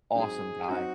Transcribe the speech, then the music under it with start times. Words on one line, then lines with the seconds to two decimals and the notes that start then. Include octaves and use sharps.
awesome guy,
0.15 G#2 F#3 C4 D#4 G#4
0.69 F#3 C4 D#4 F#4